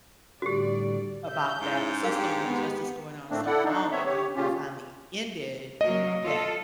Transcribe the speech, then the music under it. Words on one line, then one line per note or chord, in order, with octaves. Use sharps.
about that system of injustice going on so long and then when it finally ended and that,
A2 D3 G3 F#4 G4 D5
E5 G6
G#2 C#4 E4 G#4
C4 D4 G4 A#4 F5
G#3 B3 G4
A2 A3 A#3 C4 D4
E4 A4 D5 F#5
D4 D#4
B3 C4 C#5 E5
G4 C#5
A#2 C#3 C#4 F4 G4
F#3 A#3 D#5
F4 A4